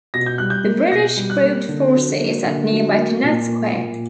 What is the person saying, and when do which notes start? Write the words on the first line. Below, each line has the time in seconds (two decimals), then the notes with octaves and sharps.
The British grouped forces at nearby Kennett Square.
0.14 B2 A#6
0.26 G6
0.38 G3 F#6
0.50 G6
0.65 A#3
0.92 B2 A#6
1.17 G3
1.30 F#6
1.43 A#3
1.68 D3
1.95 F#3
2.20 A#3
2.45 D3
2.72 F#3
2.97 A#3
3.23 A#2
3.49 A#3
3.74 A#2